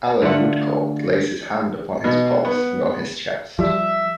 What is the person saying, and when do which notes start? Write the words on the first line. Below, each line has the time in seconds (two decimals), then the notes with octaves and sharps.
Allan Woodcourt lays his hand upon his pulse and on his chest.
0.22 D3 A3 F4 F#5
2.04 B2
2.45 B3
3.59 F3 G3 E5